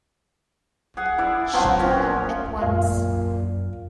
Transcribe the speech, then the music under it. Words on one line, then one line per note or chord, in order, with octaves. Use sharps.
She got up at once.
G#4 F#5
E4 D5
F3 F#3 B3 C4
A#2 C#4
F#2 A#2 F5